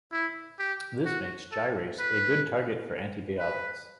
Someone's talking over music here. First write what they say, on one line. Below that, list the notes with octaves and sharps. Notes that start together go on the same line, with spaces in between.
This makes gyrase a good target for antibiotics.
E4
G4
F#4
A4
B4
B4